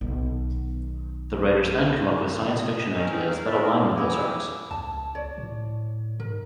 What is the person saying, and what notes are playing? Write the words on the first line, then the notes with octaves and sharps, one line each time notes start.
The writers then come up with science fiction ideas that align with those arcs.
B1 D#3
D#5
C4 C#4 D#4 A#4
A#4 F5
A#4 B4 D5 E5
D#5
B3 E4 G4 G#5
C#2 A5
C#5 D5
A2
G#2 A#4